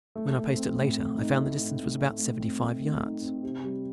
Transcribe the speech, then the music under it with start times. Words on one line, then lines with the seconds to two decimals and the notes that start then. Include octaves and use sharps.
When I paced it later I found the distance was about seventy-five yards.
0.15 A3
0.36 A3
0.56 C4
0.76 A2
0.97 A3
1.17 D#4
1.38 A3
1.58 A2
1.80 A2
2.00 A3
2.19 A2
2.40 C4
2.61 A3
2.82 A3
3.03 D#4
3.22 C4
3.43 C3
3.64 G3